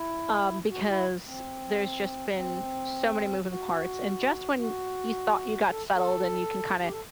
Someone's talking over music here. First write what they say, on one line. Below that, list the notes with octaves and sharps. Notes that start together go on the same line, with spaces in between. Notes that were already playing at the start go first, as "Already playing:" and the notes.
Um, because there's just been so many moving parts, and just when you thought you got settled and you can kinda
Already playing: E4
F#4
F#4
E4
C4
C4
F#4
F#4
A4
A4
G4
A4